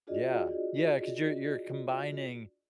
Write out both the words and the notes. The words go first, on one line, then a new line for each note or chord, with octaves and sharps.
Yeah, yeah, 'cause you're you're combining,
D4 F4 F#4 G#4 D5 D#5